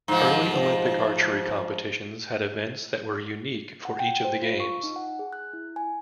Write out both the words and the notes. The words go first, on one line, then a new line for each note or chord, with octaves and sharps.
Early Olympic archery competitions had events that were unique for each of the Games.
G#2 F3
F#5
G5
C5
F4
C#6
D#4
F#5
G#4
F#6
E4
G#5